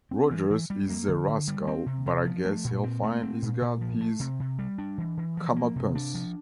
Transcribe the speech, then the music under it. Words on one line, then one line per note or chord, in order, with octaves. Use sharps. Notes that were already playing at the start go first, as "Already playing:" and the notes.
Rogers is a rascal, but I guess he'll find he's got his comeuppance.
C4
E3
E3
G3
A#3
D3
D3
G3
C4
C3
C3
F3
A3
A#2
C4
A3
C4
A#2
A#2
F3
A3
C3
C3
G3
D4
E3
E3
F3
A#3
C3
D4
F3